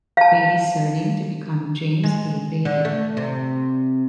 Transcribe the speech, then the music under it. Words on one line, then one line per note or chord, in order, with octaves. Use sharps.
Bailey's surname to become James A. Bailey.
F5 A5
G#3
D3
A3
C3